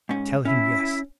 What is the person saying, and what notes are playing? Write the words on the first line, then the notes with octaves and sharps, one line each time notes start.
"Tell him yes!"
G#2 C#4
C#4 E4